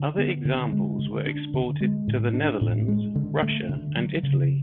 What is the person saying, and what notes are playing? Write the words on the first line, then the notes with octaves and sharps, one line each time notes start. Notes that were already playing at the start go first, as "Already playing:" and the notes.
Other examples were exported to the Netherlands, Russia and Italy.
Already playing: D3
B3
D3
G#3
D3
D4
D3
G#3
A2
D4
A2
G#3
D3
A3
D3
F#3
C#3